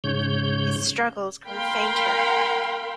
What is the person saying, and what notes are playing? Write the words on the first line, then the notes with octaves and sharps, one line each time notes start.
His struggles grew fainter.
G#2 C#3 C#5 G6
A#4 F5 G5 B5 C6